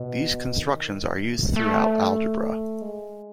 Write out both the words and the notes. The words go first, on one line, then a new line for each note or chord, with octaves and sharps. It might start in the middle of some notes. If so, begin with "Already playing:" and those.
These constructions are used throughout algebra.
Already playing: B2
D#3
A3
G#3
A3
G#3